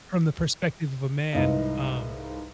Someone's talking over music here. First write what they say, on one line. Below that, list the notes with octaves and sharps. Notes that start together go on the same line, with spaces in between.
from the perspective of a man, um
C2 G#2 E4 B4 D#5 F5